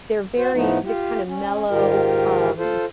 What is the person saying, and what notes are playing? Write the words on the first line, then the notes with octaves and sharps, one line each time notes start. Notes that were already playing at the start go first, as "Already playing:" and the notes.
they're very they're kinda mellow, um,
F#4 C5
A2 F3 A3 B3 D#4
F4 G4
C#4
G#2 D#3 F4 G4 A#4
F4 A4 C5